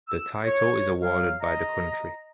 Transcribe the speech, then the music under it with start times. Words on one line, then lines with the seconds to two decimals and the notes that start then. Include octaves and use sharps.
The title is awarded by the country.
0.08 E6
0.45 C#5
1.02 F#3 F5
1.41 D#5 A#5